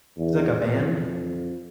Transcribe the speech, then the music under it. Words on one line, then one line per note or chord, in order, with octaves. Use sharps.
It's, like, a band?
E2
F2